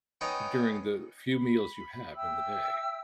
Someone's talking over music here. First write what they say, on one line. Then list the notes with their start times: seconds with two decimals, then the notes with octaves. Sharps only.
during the few meals you have in the day.
0.21 B3 C#4 D#4 G5
1.31 B5
2.16 E5 G5 E6